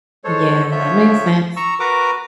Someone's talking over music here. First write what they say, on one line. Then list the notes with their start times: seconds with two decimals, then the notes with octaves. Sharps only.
Yeah, that makes sense.
0.24 G#3 A4 C5 C#5
0.72 D3 F3 F4 C#5 E5 G6
1.57 A#5 C#6 E6
1.80 F#4 A#4 B4 A#5 D6